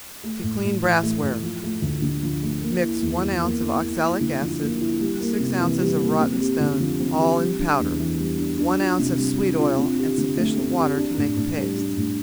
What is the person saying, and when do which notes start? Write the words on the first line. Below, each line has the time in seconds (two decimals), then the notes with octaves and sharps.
To Clean Brassware.--Mix one ounce of oxalic acid, six ounces of rotten stone, all in powder, one ounce of sweet oil, and sufficient water to make a paste.
0.23 A3
0.43 A2
0.63 A2
0.83 E3
1.03 A3
1.23 A2
1.43 F3
1.63 A3
1.82 D2
2.02 D3
2.23 F3
2.43 A3
2.62 A#3
2.82 E4
3.02 E2
3.22 E3
3.42 A#3
3.62 E4
3.81 A#3
4.01 E4
4.21 D3
4.41 F3
4.61 A#3
4.81 E4
5.00 G3
5.21 A#3
5.40 C3
5.60 E3
5.80 G3
6.01 A#3
6.21 C4
6.40 G4
6.60 D3
6.80 F3
7.00 C4
7.20 G4
7.39 G3
7.59 D4
7.80 E2
8.00 E3
8.19 G3
8.39 D4
8.59 D4
8.79 F4
8.99 C3
9.18 G3
9.39 D4
9.59 F4
9.79 C4
9.99 G4
10.18 D3
10.37 A3
10.58 C4
10.77 G4
10.97 D4
11.17 A2
11.37 A2
11.57 G3
11.78 D4
11.97 A2